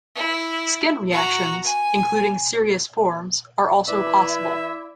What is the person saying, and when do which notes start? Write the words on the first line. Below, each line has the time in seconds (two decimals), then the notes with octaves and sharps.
Skin reactions, including serious forms, are also possible.
0.15 E4
1.12 F#4 A#5
1.64 G#5
3.88 E3 E4 B4 D5 E5